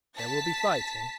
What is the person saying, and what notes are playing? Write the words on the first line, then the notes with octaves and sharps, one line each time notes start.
There will be fighting.
A5 B6